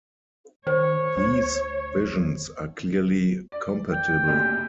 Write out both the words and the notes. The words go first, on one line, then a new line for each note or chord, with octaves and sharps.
These visions are clearly compatible.
D#3 C5 C#5
D2
D5
G5
F#1 D2 C3